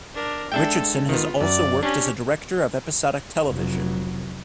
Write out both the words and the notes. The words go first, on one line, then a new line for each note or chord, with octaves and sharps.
Richardson has also worked as a director of episodic television.
D4 A#4
G#3 D4 A4 E5 G5
D#3 B3 F4
F#2 D5
C#4 D4 G4
F1 F#3